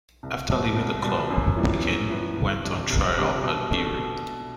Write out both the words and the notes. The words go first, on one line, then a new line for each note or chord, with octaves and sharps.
After leaving the club, Picken went on trial at Bury.
C2
B2 G3
C2
B2 G3
F#2
E3 G3 B3 E4
F#2
E3 G3 B3 E4
C2
C3 G3 D4 G4
C2
C3 G3 D4 G4
B2
A3 D4
B2